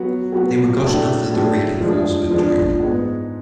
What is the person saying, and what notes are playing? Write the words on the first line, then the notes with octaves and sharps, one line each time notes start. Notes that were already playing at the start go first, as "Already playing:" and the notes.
They were gotten off as the raiding force withdrew.
Already playing: F#3 B3 F#4
F#3 B3 F#4
A2 F#3 A3 D4 G#4
A2 F#3 A3 D4 G#4
F3 G#3 D4
F3 G#3 D4
G#2 G#3 B3